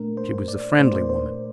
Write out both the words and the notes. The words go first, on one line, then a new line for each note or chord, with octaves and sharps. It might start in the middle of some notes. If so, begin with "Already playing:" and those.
She was a friendly woman.
Already playing: A#2 A3 D4 A#4
C5
D5
A#2 A3 D4 C5
D5
C5
C5